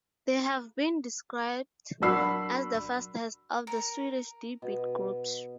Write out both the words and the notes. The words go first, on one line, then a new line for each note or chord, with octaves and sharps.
They have been described as the fastest of the Swedish D-beat groups.
F#3 D4 A#4 B5 E6 C7
A#4
B2